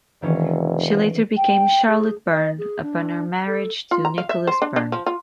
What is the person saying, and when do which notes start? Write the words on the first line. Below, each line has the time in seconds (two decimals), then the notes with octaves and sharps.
She later became Charlotte Byrne upon her marriage to Nicholas Byrne.
0.22 F1 D#3 E3 C#4
1.37 G5
1.88 G#4
2.31 D#5
2.58 G#4
2.82 D4
3.47 A4
3.91 F4
4.05 A#5
4.18 F5
4.29 E5
4.47 C5
4.62 D4
4.76 D4
4.92 F3
5.06 F4